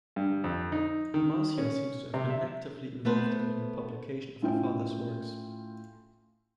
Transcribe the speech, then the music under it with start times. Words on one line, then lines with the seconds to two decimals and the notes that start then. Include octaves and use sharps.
Marcia seems to have been actively involved in the re-publication of her father's works.
0.16 G2
0.44 F2
0.72 D#4
1.14 D#3
1.58 C#4
2.14 C3
2.30 E5
3.05 A3 B3 B4 C5
4.42 A2 C#4 E4 F4 F5 G5